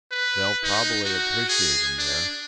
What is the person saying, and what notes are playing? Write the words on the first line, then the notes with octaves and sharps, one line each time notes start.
They'll probably appreciate him there.
B4
D#4
F#4
G#4
D4